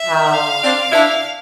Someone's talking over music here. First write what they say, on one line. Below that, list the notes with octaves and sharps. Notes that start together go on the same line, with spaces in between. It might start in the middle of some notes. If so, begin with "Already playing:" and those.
how to
Already playing: E5
F5
C4 D4
D4 E4